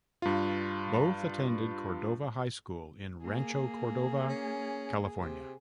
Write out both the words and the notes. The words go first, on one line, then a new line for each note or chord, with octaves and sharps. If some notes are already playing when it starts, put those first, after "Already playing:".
Both attended Cordova High School in Rancho Cordova, California.
G2 F4
A#3 G#4
C#4
C3